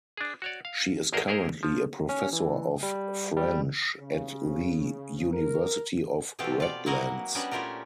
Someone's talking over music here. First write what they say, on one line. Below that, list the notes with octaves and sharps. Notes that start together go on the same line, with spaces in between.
She is currently a professor of French at the University of Redlands.
D4 G#4
F#4 C#5 D5
F5
G#1 E2 G#4 A#4 C5 D#5
E4 G#4 A#4 C5 C#5
F3
C#4
E3
G3
G3
C#3
A#4
B2 E3 C4 F4 G4 A4
F4 D5
F#3 A#3 E4 F#4 A#4 D#5
G3 B3 C#4 D4 F#4
A#2 A3 E4 F4 G4 A#4